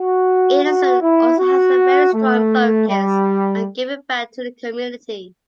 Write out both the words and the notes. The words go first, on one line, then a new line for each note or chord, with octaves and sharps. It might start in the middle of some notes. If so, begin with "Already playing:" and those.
Anderson also has a very strong focus on giving back to the community.
Already playing: F#4
F#4
E4
F#4
A3
G3